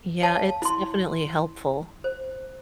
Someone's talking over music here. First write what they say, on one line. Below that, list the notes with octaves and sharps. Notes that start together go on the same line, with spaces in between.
Yeah, it's definitely helpful.
C#5 F5 A5
E4 C6
C5